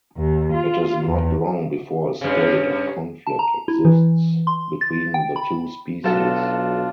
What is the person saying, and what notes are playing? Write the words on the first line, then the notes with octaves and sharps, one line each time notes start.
It is not long before a state of conflict exists between the two species.
D#2
F4
E2
G2 C#3
A5
A#5
E4
E3
C6
A6
G5
B5
B1 F#3 D4 F4 A4